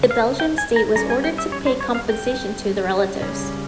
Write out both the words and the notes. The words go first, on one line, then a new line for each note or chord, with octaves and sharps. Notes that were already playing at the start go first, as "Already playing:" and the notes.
The Belgian state was ordered to pay compensation to the relatives.
Already playing: C#3 G3
F5
G5
G#5
A#5
G3 C#4 A#5
G#5
G5
E5
C#5
C5
C#5
F5
G5
C#3 G3 C#4